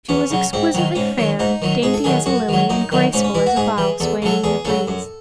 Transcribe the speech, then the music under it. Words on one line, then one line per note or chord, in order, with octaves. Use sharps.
She was exquisitely fair, dainty as a lily and graceful as a bough swaying in the breeze.
E2 C#4
C#3 F#3
G#2 C4
D#3 F#3
G#2 C#4
D#3 F#3
G#2 D#4
D#3 F#3
G#2 G#4
A4
D#3 F#3 G#4
F#2 F#4
D#3 F#3
F#2 D#4
D#3 F#3
G#2 C#4
C#4
E3 E4
F#4
G#2 G#4
E3
E2 A4
C#3 F#3 A4
E2 G#4
C#3 F#3 A4
F#2